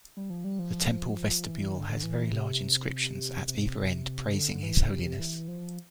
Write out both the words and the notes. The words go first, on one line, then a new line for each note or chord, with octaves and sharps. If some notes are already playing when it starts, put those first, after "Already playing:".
The temple vestibule has very large inscriptions at either end praising his holiness.
G3
F3
G3
F3
E3
D3
D3
E3
C3
C3
D3
E3
D3
C3
C3
E3
F3